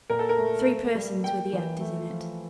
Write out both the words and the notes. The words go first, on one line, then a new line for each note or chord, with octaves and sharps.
Three persons were the actors in it.
A#2 A#4
A4
A#4
A3
A#3
G3
A#3 G5
E3
A3
F3